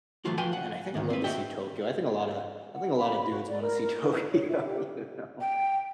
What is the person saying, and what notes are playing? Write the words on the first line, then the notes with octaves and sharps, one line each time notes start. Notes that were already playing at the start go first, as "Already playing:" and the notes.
and I think I'd love to see Tokyo. I think a lotta I think a lotta dudes want to see Tokyo, you know,
E3 F#3 A3 F4 F#4
F3 B4 G5 G#5 C6
F#5
D2 G#2 D#3
C4 B4
F#4 D#5 E5 G5
F#5
B5
F#4
D5
A#4
A#4
B4
C#5
E5
G4
G5